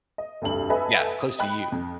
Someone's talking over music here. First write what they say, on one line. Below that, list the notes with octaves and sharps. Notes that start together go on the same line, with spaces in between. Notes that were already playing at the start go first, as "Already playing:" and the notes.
Yeah, close to you.
D#5
F1 D2 G2 F#7
A4 B4 D#5 E5 G#5 B5
D#6
D#5 G5 B5 F#6
F2